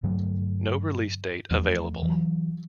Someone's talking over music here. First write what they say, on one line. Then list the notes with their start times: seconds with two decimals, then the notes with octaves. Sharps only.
No release date available.
0.03 G2 D3 F#3 A3
1.51 E2 F3 A3
2.03 E3 F#3